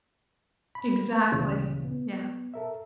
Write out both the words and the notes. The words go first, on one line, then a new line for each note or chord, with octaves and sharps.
Exactly. Yeah.
B5
D2 A#2 C#3 E3
B3
A4 A#4 E5